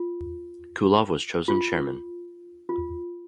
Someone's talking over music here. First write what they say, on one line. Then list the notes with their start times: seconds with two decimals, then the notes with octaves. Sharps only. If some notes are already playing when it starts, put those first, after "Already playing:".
Kulov was chosen Chairman.
Already playing: F4
1.48 F4
2.69 F4